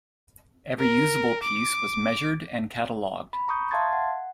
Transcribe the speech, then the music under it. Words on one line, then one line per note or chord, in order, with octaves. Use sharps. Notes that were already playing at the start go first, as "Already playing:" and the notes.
Every usable piece was measured and catalogued.
A#4
D6
B5
A#5 C#6 D#6 G6
E5 F5 A5 C6 G#6 A6
F#5